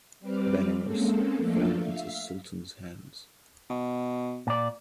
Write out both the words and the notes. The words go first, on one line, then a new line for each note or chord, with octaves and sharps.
Benaras fell into Sultan’s hands.
G3 C4 B4 D6 F6
G#3 A#3 C4 C#4 A4
F3 A3 A#3 D4 F4 A4
E5 F5
B2
A#2 D5